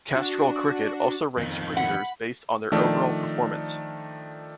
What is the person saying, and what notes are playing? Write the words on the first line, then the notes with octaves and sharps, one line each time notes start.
Castrol Cricket also ranks cricketers based on their overall performance.
D4 F#4
F2 D#3
F#5 B5
D#3 F3 A3 D4